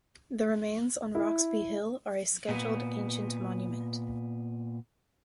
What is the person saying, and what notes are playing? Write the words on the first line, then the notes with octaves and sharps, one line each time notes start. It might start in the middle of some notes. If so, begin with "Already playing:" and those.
The remains on Roxby Hill are a Scheduled Ancient Monument.
E4
A#2 B3